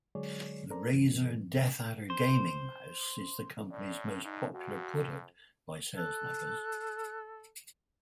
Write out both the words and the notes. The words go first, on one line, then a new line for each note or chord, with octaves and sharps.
The Razer DeathAdder gaming mouse is the company's most popular product by sales numbers.
D3 F#3 G#3 G#4 C#5 D5
A4 A#4 C5 D5 A#5
G2 E3 C4
C5
A2 D5
G2 D#4
F2 F#4
A4 F#6